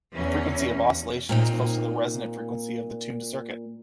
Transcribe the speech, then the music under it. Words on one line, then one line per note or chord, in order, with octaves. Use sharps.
The frequency of oscillation is close to the resonant frequency of the tuned circuit.
E2 C#4
A#2 C4 D#4